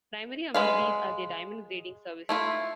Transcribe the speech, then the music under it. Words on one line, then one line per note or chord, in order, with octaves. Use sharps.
Primary among these are their diamond grading services.
G#3 B4 F5
A3 E4 F4